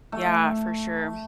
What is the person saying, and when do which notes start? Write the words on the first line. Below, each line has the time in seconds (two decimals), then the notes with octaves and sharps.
Yeah, for sure.
0.12 A3